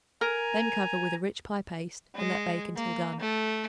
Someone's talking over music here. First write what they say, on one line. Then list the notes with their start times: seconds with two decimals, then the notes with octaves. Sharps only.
Then cover with a rich pie-paste and let bake until done.
0.21 A#4 G#5 A#5
2.15 G#3
2.76 A#3
3.20 A3